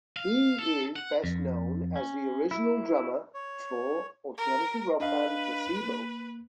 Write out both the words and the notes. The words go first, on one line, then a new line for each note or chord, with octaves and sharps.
He is best known as the original drummer for alternative rock band Placebo.
F5
A4
F#5
F2
C#4
E4
C#5
A#4
D4 B4 D#5 F5
A#3